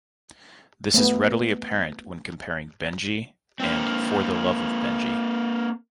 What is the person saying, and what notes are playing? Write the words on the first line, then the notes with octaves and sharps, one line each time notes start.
This is readily apparent when comparing "Benji" and "For the Love of Benji".
A3 B3
A#3 C4